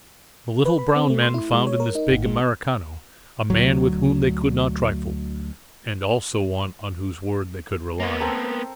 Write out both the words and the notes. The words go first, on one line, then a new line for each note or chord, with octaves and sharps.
The little brown men found in this big Americano a man with whom they could not trifle, and also one on whose word they could rely.
B4
B5
C4
A3
C6
E4
G#3
C#5
A#4
D#4
G#1
G#3
D2 F#3
A#3 B3
C4 A4 A#4